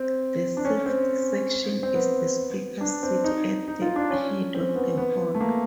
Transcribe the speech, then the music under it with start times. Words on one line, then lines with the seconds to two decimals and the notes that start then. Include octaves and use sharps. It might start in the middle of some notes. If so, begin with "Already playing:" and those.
The sixth section is the Speaker's seat at the head of the hall.
Already playing: C4
0.57 D4
0.65 C#4
0.86 C4
1.83 C4
1.95 B3
2.81 D4
3.03 C4
3.24 D#4
3.68 D#4
3.82 F4
3.96 D4
4.10 C#4
4.55 C4
4.76 B3
4.98 B3
5.35 A3
5.41 A#3